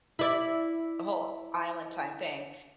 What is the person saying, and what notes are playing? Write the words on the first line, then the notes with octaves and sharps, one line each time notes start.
a whole island time thing.
E4 D5